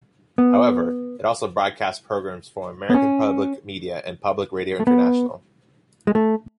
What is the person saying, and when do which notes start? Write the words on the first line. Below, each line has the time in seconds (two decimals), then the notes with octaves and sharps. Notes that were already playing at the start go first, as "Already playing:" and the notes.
However, it also broadcasts programs from American Public Media and Public Radio International.
0.38 B3
2.90 B3
2.94 C#4
4.80 A3
4.87 B3
6.07 G#3
6.15 A3